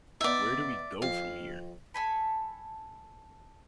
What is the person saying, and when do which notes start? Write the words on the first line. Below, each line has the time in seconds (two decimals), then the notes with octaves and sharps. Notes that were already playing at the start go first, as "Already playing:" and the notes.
Where Do We Go from Here?
0.21 B3 D#4 D5 E5
1.02 F2 F5
1.94 A4 G#5 B5